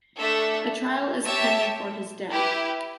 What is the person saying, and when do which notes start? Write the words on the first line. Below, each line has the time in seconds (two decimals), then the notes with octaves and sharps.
A trial is pending for his death.
0.18 A3 D4 A4 E5
1.24 G4 C#5 E5 A5
2.30 E4 G4 B4